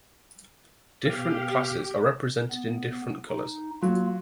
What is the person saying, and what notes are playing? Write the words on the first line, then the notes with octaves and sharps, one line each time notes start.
Different classes are represented in different colours.
B2 G4 F5
B3
D#4
F#3 A#3 F4